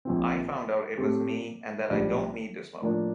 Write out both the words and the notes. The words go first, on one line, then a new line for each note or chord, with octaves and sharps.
I found out it was me and that I don't need to smoke.
A#1 A#2 F3 C4
A2 A3 C4 G4
A#1 A2 G3 D4
A2 F3 A#3 D4